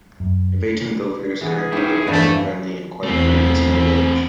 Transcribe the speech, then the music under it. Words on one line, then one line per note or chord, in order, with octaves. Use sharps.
Aveton Gifford is currently a family friendly and quite quaint and small village.
F#2
E3 B3 G#4
C#4 D#4 E4 G4
E2 G2 F3 A3 B4 E5
E2 A3 C4 B6